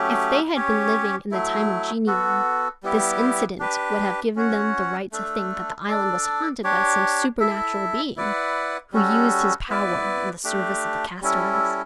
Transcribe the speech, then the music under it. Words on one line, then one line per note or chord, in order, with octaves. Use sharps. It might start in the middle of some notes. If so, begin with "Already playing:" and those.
If they had been living in the time of genii, this incident would have given them the right to think that the island was haunted by some supernatural being, who used his power in the service of the castaways!
Already playing: F#3 A3 C#4 G4
C#4 G4 C#5
F#3 A3 E4
B3 F#4 A4
G3 B3 E4 G4
D4 G4 B4
C#4 F#4 C#5 F#5
A3 D4 A4
D4 A4 D5
D4 G4 C#5
E4 A4 E5
E4 B4 D5 F#5
G3 C#4 F#4 A4
B3 E4 B4 D5
A3 D4 G4
G3 C#4 E4 A4